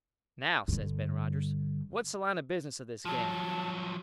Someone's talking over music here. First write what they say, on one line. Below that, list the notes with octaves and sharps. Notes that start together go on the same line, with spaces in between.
"Now," says Ben Rogers, "what's the line of business of this Gang?"
G2 D3
F3 F#3 A5